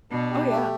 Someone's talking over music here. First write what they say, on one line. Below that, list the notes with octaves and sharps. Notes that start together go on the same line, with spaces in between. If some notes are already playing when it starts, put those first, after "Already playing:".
Oh, yeah.
B2 D4
G4
A3